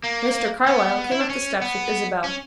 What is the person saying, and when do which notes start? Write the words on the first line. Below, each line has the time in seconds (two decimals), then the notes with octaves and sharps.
Mr. Carlyle came up the steps with Isabel.
0.04 A#3
0.67 B3
1.11 E4
1.21 D4
1.30 C#4
1.62 B3
2.24 C#4